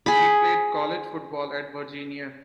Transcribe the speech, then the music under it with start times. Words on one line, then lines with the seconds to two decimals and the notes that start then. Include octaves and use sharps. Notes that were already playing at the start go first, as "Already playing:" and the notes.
He played college football at Virginia.
0.06 G#4 B5